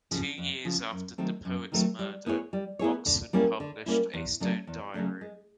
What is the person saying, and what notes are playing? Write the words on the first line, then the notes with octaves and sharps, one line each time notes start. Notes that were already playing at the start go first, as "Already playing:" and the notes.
Two years after the poet's murder, Oxford published "A Stone Diary".
C#3 F3
F2
C#3 F3
F#2
D#3 F#3 A3 C4
F#2
D#3 F#3 A3 C4
G3
B3 E4 G#4 C#5
G3
B3 E4 G#4 C#5
D3
G3 A#3 C#4 E4
D3
G3 A#3 C#4 E4
E2
C#3 F#3 A3 D4
E2
C#3 F#3 A3 D4
G#3